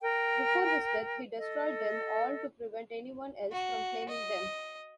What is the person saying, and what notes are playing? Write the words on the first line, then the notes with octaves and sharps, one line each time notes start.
Before his death he destroyed them all to prevent anyone else from claiming them.
A#4 G5
A4 D#5
F#4
D#5